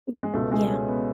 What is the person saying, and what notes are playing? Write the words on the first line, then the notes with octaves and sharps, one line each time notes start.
M Yeah.
G#3
C#2 B2 A3
G#3
C#4
B3